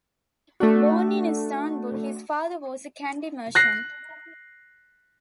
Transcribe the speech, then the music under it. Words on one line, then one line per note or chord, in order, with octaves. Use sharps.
Born in Istanbul, his father was a candy merchant.
A3 D4 F#4
F#6 A#6 C7